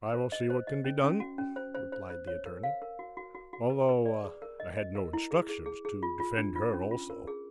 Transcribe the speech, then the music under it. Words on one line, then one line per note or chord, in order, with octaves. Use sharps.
"I will see what can be done," replied the attorney, "although I had no instructions to defend her also."
C5
D#5
C5
D#5
C#4
C#4
F#4
C#4
C5
C5
C5
C5
C#5
A#4
F5
A#4
F#4
F#4
F#4
F#4
B4
B4
D5
G#4
A#4
D#5
D#5
A#4
E4
G#4
G#4
G#4
G#4
F4
F4
D4
F4
C#4
F4
A#4
G#4